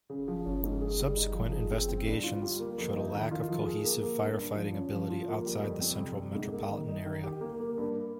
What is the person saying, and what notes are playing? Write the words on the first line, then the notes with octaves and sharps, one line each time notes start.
Subsequent investigations showed a lack of cohesive firefighting ability outside the central metropolitan area.
C#3
F3
C#4
G#2
G#4
G3
D#4
F3
G#4
C4
C4
G2
F4
G3
A#3
F2
D#4
D#3
F4
F3
G#4
A#3
A#3
G2
G2
F3
C#4
F3
F4
A#3
G3
F2
C4
C3
G3
G#2
A#3
D#3
D#4
D#3
G4
A#3
A#3
G2